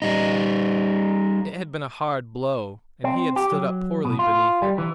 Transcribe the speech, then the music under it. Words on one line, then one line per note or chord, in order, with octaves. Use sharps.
It had been a hard blow, and he had stood up poorly beneath it.
G3 D#4
C4
G4
F#3
B2
F4
G3
E3